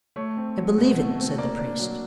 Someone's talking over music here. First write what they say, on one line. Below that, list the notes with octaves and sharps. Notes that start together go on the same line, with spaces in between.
"I believe it!" said the priest.
A3 C#5
C4
F#3
B2
A3
C4
A#3 D5
D4
F#3